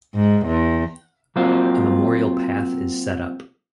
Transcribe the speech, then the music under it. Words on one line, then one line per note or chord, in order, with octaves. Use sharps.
A memorial path is set up.
G#2
E2
F#3 A#3 C4 F4